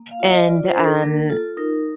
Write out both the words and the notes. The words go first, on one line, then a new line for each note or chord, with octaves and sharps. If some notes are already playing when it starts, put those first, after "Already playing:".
and, um,
Already playing: A#3
F5
F4
D#5
F4 D5
C5
D4 A#4
A4
A#3 A#4
F4 A4
D#4 A#4